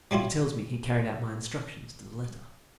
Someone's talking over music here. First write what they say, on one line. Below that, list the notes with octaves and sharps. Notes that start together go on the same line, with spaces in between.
He tells me he carried out my instructions to the letter.
F#3 G3 E4 F4